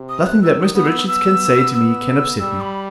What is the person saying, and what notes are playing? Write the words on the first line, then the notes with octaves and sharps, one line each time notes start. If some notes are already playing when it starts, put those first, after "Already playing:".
Nothing that Mr Richards can say to me can upset me.'
Already playing: C3
D#6
F#6
D#3 E6
D#6
B3 D#6
E6
B3 E6
E6
G3 E6
B5